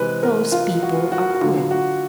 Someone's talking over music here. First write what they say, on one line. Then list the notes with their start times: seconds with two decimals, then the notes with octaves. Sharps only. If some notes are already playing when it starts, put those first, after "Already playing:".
Those people are poor.
Already playing: C3 E3 G#3 B4
0.23 A#4
0.52 F4
0.82 F#4
1.12 F#4
1.34 F#4
1.41 D3 F#3 F4
1.71 F#4